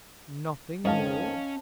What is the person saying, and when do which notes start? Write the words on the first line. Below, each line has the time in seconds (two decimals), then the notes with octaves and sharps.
"Nothing more?"
0.85 F2 G#2 D#3 F3 C#4 D#5 F5 A5